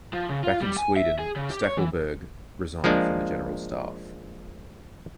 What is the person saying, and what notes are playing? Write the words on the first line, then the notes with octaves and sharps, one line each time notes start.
Back in Sweden Stackelberg resigned from the General Staff.
F3
C#3
F4
G3
G#5
E5
G#4
C#3
G4
C#5
E3
F3 G#3 A#3 D4